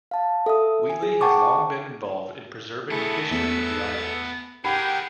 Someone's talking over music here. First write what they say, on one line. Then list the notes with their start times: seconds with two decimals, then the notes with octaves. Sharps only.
Wheatley has long been involved in preserving the history of the islands.
0.11 F5 A5
0.46 A4 E5 D#6
0.90 G#5
1.03 G#4
1.21 F#5 G5 A5 C#6 D6
2.91 A3 B3 E4 G#4 A4
3.31 E2 A3 E5 E6
4.65 G4 G#4 A#4 F#5 G5 B5